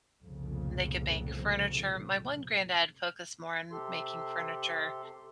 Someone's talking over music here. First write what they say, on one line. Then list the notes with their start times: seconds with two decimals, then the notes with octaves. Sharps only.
They could make furniture, my one granddad focused more on m making furniture,
0.22 F1 C2 F2 A#2 C#3
3.71 C3 G4 A4 C6